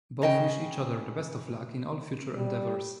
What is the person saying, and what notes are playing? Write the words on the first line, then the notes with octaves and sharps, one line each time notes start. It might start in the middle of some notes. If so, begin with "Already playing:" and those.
Both wish each other the best of luck in all future endeavors.
C#3 D#5 G5
G3